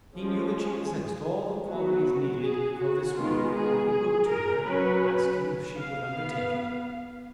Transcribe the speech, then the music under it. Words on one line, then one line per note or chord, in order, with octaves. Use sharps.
He knew that she possessed all the qualities needed for this work, and he wrote to her, asking if she would undertake it.
F3 G#3 C#4 G#4
F#3 B3 F#4
F#4
G#4
F#4
D#3 G#3 B3 F4
G#4
G#4
A#4
F#3 C#4 B4
F5
B3